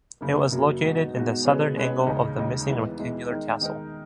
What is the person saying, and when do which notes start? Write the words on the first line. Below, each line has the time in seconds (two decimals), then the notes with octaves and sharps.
It was located in the southern angle of the missing rectangular castle.
0.21 F#2 C#3 F#3 A#3
0.52 F#2 C#3 F#3 A#3
0.83 B2 G#3 B3 D#4 F#4
1.14 B2 G#3 B3 D#4 F#4
1.45 B2 G#3 C#4 G#4 B4
1.76 B2 G#3 C#4 G#4 B4
2.07 D#2 C#3 G#3 D#4
2.38 D#2 C#3 G#3 D#4
2.69 E3 G#3 B3
2.99 E3 G#3 B3
3.30 D#3 G#3 D#4 A#4
3.61 D#3 G#3 D#4 A#4